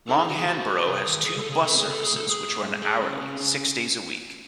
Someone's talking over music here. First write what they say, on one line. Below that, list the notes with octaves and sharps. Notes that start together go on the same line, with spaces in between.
Long Hanborough has two bus services, which run hourly, six days a week.
D#4 A4
G#4
E3 F#4
G#4
A3 F#4
A3
C3 G#4
D#3
C#3 G#4
A4
C#3
G#4
C4 A4
G#4
C#3
A4
A2 G#4
A4
A2
G#4
A2
G#3
A2 G#4
C#4
C#4
C#4